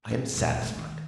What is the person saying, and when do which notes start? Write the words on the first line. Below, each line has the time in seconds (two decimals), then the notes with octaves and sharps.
I am satisfied.
0.11 C#3
0.34 D#1 C2
0.62 A3 C4
0.79 D#3